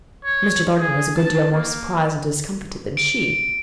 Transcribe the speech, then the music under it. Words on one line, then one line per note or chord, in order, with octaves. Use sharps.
Mr. Thornton was a good deal more surprised and discomfited than she.
C#5
G#4
A5
A#3
D7